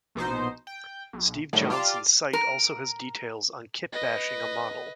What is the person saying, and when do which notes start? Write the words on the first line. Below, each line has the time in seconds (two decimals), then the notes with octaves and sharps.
Steve Johnson's site also has details on kitbashing a model.
0.15 A#1 B2 D#4 C5
0.67 G5
1.13 B1
1.53 A2 D#3 F#3 G3 A3
1.70 F4 G4 D5 F5 A5
2.33 A#4
3.92 B4 D#5